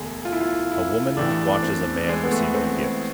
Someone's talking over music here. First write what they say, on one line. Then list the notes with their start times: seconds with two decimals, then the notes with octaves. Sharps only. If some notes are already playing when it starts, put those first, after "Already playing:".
A woman watches a man recieving a gift.
Already playing: E1 D2 D3 G#4
0.25 F4
0.33 E4
0.41 F4
0.72 E4
1.17 A1 A2 E3 D4
1.53 D4
1.63 C4
2.09 G#3
2.23 B3
2.32 A3
2.55 C4